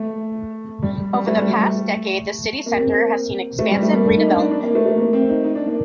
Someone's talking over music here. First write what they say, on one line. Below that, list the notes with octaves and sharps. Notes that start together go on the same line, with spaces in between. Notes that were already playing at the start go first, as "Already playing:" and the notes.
Over the past decade the city Centre has seen expansive redevelopment.
Already playing: A3
G3
G3
A3
G3
G3
A3
A#3
C4
A#3
A3
G3
A3
A#3
D4
D#4
D4
D4
D4
A#3
A3
A3
A#3
C4
D#4
D#4
D4
A#3